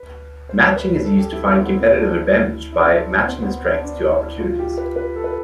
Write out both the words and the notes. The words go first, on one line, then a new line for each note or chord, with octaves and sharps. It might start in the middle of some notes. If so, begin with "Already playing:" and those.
Matching is used to find competitive advantage by matching the strengths to opportunities.
Already playing: B4
C5
B4
A4
G4
E4
C4
B3
C4
D4
E4
E4
D4
C4
D4
B3
C4
B3
D4
D4
E4
F4
G4
B4
B4
A4
B4